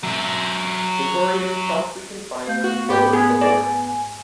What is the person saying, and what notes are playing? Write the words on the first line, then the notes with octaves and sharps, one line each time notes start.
Sartorius promptly confined them both aboard.
F#3 E5
A3 F5 G6
F#4
G#2 B3 G4 G5 B5 G6
B3 G#4 G#5
D5 A#6